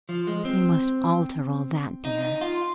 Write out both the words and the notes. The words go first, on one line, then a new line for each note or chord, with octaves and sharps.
We must alter all that, dear.
F3
G#3
C4
D#4
D#4
F4